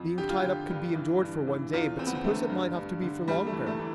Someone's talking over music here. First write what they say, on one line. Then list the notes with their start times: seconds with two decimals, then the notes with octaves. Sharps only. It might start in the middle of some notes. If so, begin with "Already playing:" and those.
Being tied up could be endured for one day, but suppose it might have to be for longer?
Already playing: F2
0.18 D3 G4
0.29 F4
0.40 D3 G4
0.70 G2
0.95 E3
1.22 G2
1.47 E3
1.73 E2 F4
1.98 E2 C4
2.06 B3
2.15 C4
2.24 D3 A3
2.50 G2
2.75 G2
3.02 D3
3.27 E2 G3
3.47 A3
3.53 E3
3.66 A3
3.79 E3